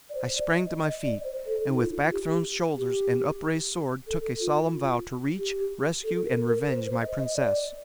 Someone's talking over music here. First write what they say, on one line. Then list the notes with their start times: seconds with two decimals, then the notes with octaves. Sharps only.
I sprang to my feet, and with back-thrown shoulders and upraised sword took a solemn vow to reach, rescue, and revenge my Princess.
0.09 D5
0.15 C5
0.37 D5
0.58 D#5
0.80 D#5
1.02 D5
1.24 C5
1.46 A4
1.68 D#4
1.78 F4
2.11 G4
2.77 G4
4.07 A4
4.40 F4
5.38 G4
6.04 A4
6.26 A#4
6.47 A#4
6.69 C5
6.85 C5
7.01 D#5
7.19 D#5
7.35 D5